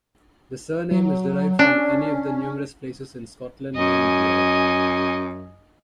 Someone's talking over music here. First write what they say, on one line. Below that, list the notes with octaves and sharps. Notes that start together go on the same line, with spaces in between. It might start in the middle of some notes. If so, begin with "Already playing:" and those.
The surname is derived from any of the numerous places in Scotland named "Blair".
F#3
C#4 D4
F#2 D#5 G#5